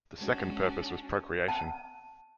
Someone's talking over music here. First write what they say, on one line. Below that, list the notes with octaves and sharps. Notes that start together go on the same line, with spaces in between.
The second purpose was procreation.
G#3 C#4 D4 F#4 C#5 G#5
A5